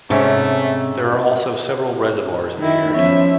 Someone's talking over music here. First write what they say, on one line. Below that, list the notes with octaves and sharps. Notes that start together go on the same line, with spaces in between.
There are also several reservoirs in the area.
G#2 C3 A3 C#4 C#5
D#3 E4
F3 B3 C#4 C#5 E5